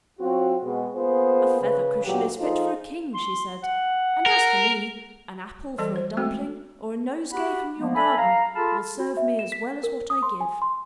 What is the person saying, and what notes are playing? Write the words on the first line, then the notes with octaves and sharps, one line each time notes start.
"A feather cushion is fit for a king," she said, "and as for me, an apple for a dumpling, or a nosegay from your garden will serve me as well as what I give."
F#3 C4 F4 F#4
B2 G#3
A#3 B3 F4 G#4 C5
C#3 B4
D2 A#2 F#3 G4
F3 D#4 F4 G#4 A4 C5
C6
F#5
A#4
E3 G3 A4 D5 A5
C5
G#3 A3 B3 C4 F#4 A4
F#4 G4 F#5 B5
F3 G#3 A#3 B3
A4 E5 G#5 A5 B5
F5 A#5
F4 G#4 A4 F5 A5 B5
F#4
E5
E7
B6
A#4
D#6
C6
G#5
C6